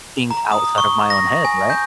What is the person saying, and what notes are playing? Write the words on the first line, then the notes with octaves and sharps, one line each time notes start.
think outside of my own head," right?
A#5
D#6
C#6
A#6
G#5
G6